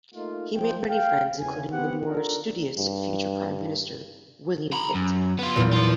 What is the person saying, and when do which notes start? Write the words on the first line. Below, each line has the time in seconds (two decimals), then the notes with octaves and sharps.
He made many friends including the more studious future Prime Minister William Pitt.
0.14 A3 A#3 D#4 F4
0.56 F3 F4 G5
0.88 F5 G5
1.38 E2 C#3 G#5
1.71 B3 C4 G4 F#5
2.06 D4 F4 A4 A#4
2.78 G2
4.73 A#5 B5
4.95 F#2
5.39 B3 F4
5.56 B1 E2 A#2
5.73 F3 F4